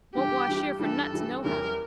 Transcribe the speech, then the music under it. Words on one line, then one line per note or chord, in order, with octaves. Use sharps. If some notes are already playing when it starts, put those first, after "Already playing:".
Won't wash here for nuts nohow.
G2 E3 G3 G4
G2 E3 G3
G2 E3 G3 A4
G2 E3 G3
E2 E3 G3 C#4 A#4